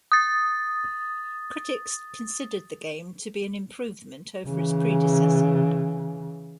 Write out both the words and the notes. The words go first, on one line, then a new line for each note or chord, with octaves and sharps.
Critics considered the game to be an improvement over its predecessor.
D#6 A6
C#3 E3